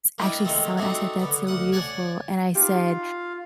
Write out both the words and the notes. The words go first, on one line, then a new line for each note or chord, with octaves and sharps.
actually saw it. I said, "That's so beautiful." And I said,
A#3 D4 E4 D#5 G5
D#3 G#3 A3 C4 D#4
A3 C4 D4 D#4 F#4
D3 B3
D2 F#5 D#6
C#5 D5 F#5 G#5 A5
D#4 F4 G4 F5